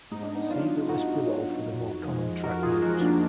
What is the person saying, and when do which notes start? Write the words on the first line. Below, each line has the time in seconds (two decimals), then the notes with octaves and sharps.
See the list below for the more common track names.
0.11 G#2 D#4
0.23 D4
0.35 B3 D#4
0.50 F#3 D4 F4
0.89 G#2 D#4 F#4
1.27 F#3
1.67 F2
2.05 F3 G#3
2.43 F2 F#4 A#4
2.63 F4 G#4
2.82 F3 G#3 F#4 A#4
3.01 A#3 D4